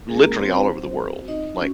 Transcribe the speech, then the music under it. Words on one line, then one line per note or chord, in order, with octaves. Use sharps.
literally all over the world, like
G#3 C#4 F4 G#4
A#3 A#4
C4 F4 C5
F#3 C4 D#4 F#4
C4 F#4
C4 D#4 F4 D#5
C#4 F#4